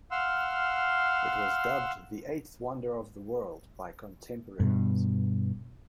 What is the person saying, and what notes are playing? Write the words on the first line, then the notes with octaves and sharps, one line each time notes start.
It was dubbed the "Eighth Wonder of the World" by contemporaries.
F5 F#5 C6 E6 F6
G2 B2